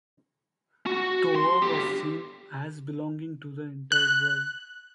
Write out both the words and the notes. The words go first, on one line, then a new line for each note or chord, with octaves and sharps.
Tova was seen as belonging to the entire world.
F#4
C6
D3 G4
F#6